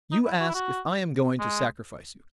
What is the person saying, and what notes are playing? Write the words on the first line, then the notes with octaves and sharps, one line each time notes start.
You ask if I am going to sacrifice you.
D#4
E4
F#4
E4
F#4
G#3